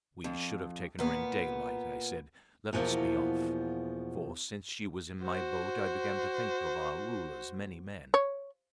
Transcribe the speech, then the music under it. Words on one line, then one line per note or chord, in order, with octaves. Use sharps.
We should have taken her in daylight.' I said, 'Let us be off'; for since she was in my boat I began to think of our Ruler's many men.
F2
A#2 B3
E2 B2 F3 G#3 A#3
F#4 C5
C#5